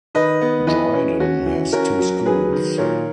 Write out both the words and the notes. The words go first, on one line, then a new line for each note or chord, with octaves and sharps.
Dryden has two schools.
D#3 B4 D#5
B3
E3 B4 D#5
C#4
C#4 F#4
E3
C#4 F#4 A#4
F#3
F#3 G#4 B4
D#3
A#2 A#4 C#5